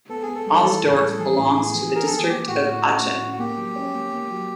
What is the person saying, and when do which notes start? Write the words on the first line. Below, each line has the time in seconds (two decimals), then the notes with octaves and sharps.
Alsdorf belongs to the district of Aachen.
0.09 B3 A4
0.22 G#4
0.28 B3
0.35 A4
0.46 G3
0.65 E3
0.83 A2
1.01 G3
1.19 E3 G#4
1.38 A2
1.56 B3
1.74 E3
1.93 B3 A#4
2.07 E3 A4
2.18 G#4
2.29 A#3 G4
2.48 A2 F#4
2.66 A2 F#4
2.84 C#4
3.02 A2
3.21 C#4
3.33 F#4
3.39 A#3 G4
3.57 F#3
3.76 C#4
3.94 A#3
4.12 A#3
4.30 F#3